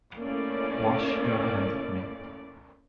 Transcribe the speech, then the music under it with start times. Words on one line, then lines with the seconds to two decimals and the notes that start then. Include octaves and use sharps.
Wash your hands of me.
0.17 A3 A#3 C#4 E4 D5